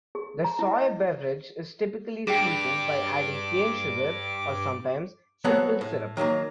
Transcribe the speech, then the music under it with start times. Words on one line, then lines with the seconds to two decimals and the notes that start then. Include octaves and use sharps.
The soy beverage is typically sweetened by adding cane sugar or, sometimes, simple syrup.
0.15 G#4
0.44 A#5
0.59 E4
0.73 D#5
2.27 G2 G#4 G5 D6
5.44 F#3 B3 C4 G#4 A4 F#5
5.81 A2
6.17 D#3 F#3 A3 A#3